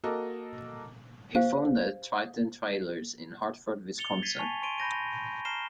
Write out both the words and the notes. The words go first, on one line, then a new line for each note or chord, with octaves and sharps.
He founded Triton Trailers in Hartford, Wisconsin.
A#3 F#4 A4 D#5
G4 C5 F5
A6 C#7 F7 G7
G#6 A6 B6 C7 D#7
G#5 A5 C#6 C#7 F7
C6 C#6 A6 D7 D#7 G7
B5 G6 A#6 D#7
A#5 F6 A#6 C7 E7 G7